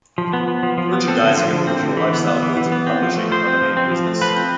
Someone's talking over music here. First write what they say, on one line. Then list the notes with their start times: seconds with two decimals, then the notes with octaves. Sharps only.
Merchandising of original lifestyle goods and publishing are the main business.
0.18 F3
0.33 B3
0.48 B3
0.63 F3
0.78 F3
0.93 B3
1.08 C4 A4
1.23 D3
1.37 F3
1.53 D3
1.67 C4
1.83 D3
1.97 E3
2.13 B3
2.27 B3
2.42 E3
2.57 E3
2.72 B3
2.86 C4
3.02 F3
3.17 A3
3.32 F3 C5
3.46 C4
3.62 F3
3.77 C4
3.91 F3
4.06 A3
4.21 F3 B4
4.36 C4